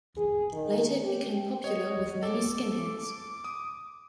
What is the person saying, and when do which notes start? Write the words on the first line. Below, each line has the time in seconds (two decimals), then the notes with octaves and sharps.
Later it became popular with many skinheads.
0.17 G#4
0.52 D#3
1.03 G4
1.64 C#5 D#5
2.23 A4 D6
3.44 D#6